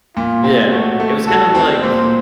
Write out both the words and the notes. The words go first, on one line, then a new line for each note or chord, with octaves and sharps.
yeah, it was kind of, like
A#2 F4
C4
A3 F#4
A3
F#4 A4
C4
A#2 C5